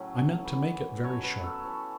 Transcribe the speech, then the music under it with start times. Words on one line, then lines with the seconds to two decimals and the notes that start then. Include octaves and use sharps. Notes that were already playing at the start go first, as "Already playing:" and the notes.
I meant to make it very short.
Already playing: A2 C#3 F#3 A3 C#4
0.44 E3 B3
1.03 B2 F#3 A3 C#4 C#5
1.23 B4
1.44 A4
1.63 E3 A3 C#4